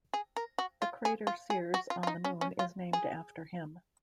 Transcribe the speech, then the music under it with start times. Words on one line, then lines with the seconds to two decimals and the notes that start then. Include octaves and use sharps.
The crater Seares on the Moon is named after him.
0.13 G#4
0.36 A#4
0.58 F#4
0.82 F4
1.05 G#4
1.27 F4
1.50 G#4
1.74 F#4
1.90 F4
2.03 F4
2.07 D#4
2.24 C#4
2.41 C#4
2.59 F4
2.93 G#4